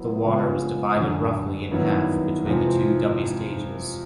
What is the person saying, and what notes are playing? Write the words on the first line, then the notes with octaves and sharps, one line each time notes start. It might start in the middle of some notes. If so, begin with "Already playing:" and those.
The water was divided roughly in half between the two dummy stages.
Already playing: F#3 B3 E4
C#3 F3 G#3 B3
F#2 D3 F#3
G2 D#3 F#3 B3 E4
F2 C3 E3 G#3 C4